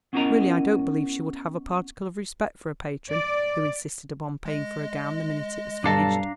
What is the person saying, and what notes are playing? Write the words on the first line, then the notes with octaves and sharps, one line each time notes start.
Really, I don't believe she would have a particle of respect for a patron who insisted upon paying for a gown the minute it was finished.
B3 C#4 E4 A#4 D#5 A#5
D5
G#3 D#5
B1 G2 D4 A4 F5 A5 A#5